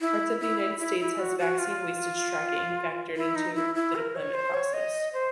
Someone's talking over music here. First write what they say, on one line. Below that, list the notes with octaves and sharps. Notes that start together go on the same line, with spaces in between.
Parts of the United States has vaccine wastage tracking factored into the deployment process.
E4
E4
E4
E4
F#4
F#4
F4
E4
D#4
E4
E4
A#4
C#5
C5
C#5
D#5
C5